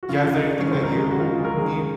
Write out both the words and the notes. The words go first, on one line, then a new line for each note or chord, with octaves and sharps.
yeah is there anything that you need
F#4
C#3 F4
C#2
D#4
G#3
G#3 C#4
C#2 C5
A#4
C#2 G#4
C#3 F#4
G#3 F4
G#4
C#2 A#4
C#2 G#4